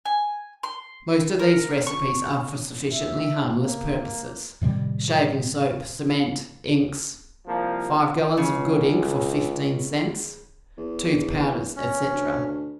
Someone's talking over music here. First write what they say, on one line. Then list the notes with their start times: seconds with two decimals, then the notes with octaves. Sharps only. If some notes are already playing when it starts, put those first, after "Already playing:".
Most of these recipes are for sufficiently harmless purposes--shaving-soap, cement, inks--"five gallons of good ink for fifteen cents"--tooth-powders, etc.
0.06 G#5
0.63 C6
1.39 A#4
1.87 C#6
2.92 E5
3.55 A#3
4.61 A2 C3 D#3 G3
7.47 C2 F3 A#3
8.37 C#2 C#3
10.77 E2
11.76 C#4
12.10 D2